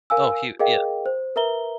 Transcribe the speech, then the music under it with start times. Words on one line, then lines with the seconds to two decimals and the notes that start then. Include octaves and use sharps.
Oh, he w yeah.
0.10 A#4 F5 G#5 E6
0.59 G#4 A#4 D#5 F5 G5
1.06 C5
1.36 A#4 B4 E5 A#5 G7